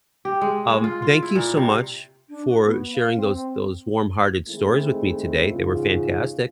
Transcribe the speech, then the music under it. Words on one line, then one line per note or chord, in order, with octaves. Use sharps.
um, thank you so much for sharing those those warm-hearted stories with me today, they were fantastic.
G4
G#3
G#3
F4
F4
E4
A#2
C3
D4
F#4
B3
F5
C4
C4
D#3 G#3 A3 C4 E4
E2 G#2 C#3 F4